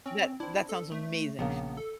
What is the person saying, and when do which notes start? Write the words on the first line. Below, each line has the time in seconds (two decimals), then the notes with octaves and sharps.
That that sounds amazing.
0.06 C4 C#4
0.40 C4 D4 E4
0.69 A4
0.92 A3
1.39 A#1 C#3 A#3 B3
1.77 A4